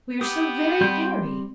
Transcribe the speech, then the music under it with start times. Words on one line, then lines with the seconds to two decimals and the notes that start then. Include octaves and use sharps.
We are so very airy!
0.21 B3 G4 G5 D#6
0.81 G3 C4 C6 G6